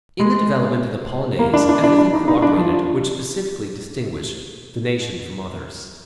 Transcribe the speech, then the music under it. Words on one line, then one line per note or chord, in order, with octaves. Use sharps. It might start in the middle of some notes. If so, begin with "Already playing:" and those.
In the development of the Polonaise everything co-operated which specifically distinguished the nation from others.
G#3
A#3
D4
D4
D4
D4
D#4
D#4
D4
F3